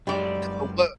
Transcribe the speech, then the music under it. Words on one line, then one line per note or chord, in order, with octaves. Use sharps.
But what
F#2 G3 G#3 D5